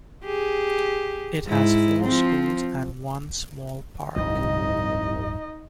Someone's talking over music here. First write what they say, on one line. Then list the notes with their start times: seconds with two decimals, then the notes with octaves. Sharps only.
It has four schools and one small park.
0.24 G4 G#4
1.46 G#2 E4
2.04 F3 C4
4.16 D1 C2 G2 F3 D#4 D#5